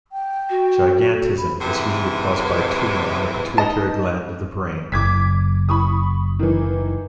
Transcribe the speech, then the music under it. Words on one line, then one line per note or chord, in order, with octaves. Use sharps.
Gigantism is usually caused by a tumor on the pituitary gland of the brain.
G5
F#4
A4
B5
G#2 C3 E3
D#4 D#5 A5
F#1 D6 G#6 B6
B5 C#6 D#6
D#3 E3